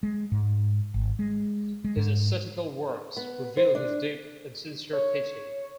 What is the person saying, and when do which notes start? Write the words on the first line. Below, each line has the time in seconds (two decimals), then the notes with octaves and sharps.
His ascetical works reveal his deep and sincere piety.
0.03 G#3
0.32 G#2
0.94 G#1
1.19 G#3
1.84 G#3
1.96 G#2
3.17 B3
3.57 C5
3.75 D4
4.93 C#5